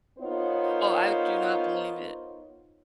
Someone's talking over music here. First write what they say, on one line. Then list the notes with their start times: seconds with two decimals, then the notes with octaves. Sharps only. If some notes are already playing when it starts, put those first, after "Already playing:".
Oh, I do not blame it.
0.19 B3 D#4 F4 A#4 C5 C#5